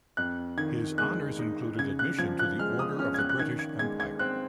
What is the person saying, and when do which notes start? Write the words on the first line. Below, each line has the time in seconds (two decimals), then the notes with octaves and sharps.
His honors included admission to the Order of the British Empire.
0.17 F2 F#6
0.57 D#3 G#6
0.98 G#3 F#6
1.39 D#4
1.78 C#3 G#6
1.99 F#6
2.18 F3 G#6
2.39 F#6
2.59 G#3 F6
2.79 D#6
2.99 C#4 F6
3.14 G#6
3.19 F#6
3.29 F#6
3.39 D#3 G#6
3.59 G#6
3.79 G#3 G#6
4.00 G#6
4.19 C4 F#6